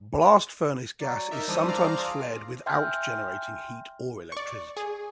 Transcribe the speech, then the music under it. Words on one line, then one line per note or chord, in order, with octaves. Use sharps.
Blast furnace gas is sometimes flared without generating heat or electricity.
F#3 D5
D#4 A#4 E5
E3 G3 D4 C5 D#6 E6
D5 F5 A#5
F4 G#4
E5 G5 G#5 C6 F6 G6
D5 C#6
G#4